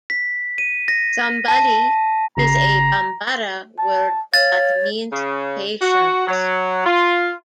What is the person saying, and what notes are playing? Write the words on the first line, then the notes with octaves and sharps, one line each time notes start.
"Sabali" is a Bambara word that means patience.
B6
D#7
A#6
A5
G#1 C#3 A#5 C7
A5
C#5 F5 A6
C#3
F#4
F#3
F4